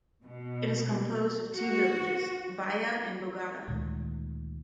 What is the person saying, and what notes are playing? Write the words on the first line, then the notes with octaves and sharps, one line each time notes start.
It is composed of two villages, Baia and Bogata.
B2
F#4
D2 A#2 D#3 G#3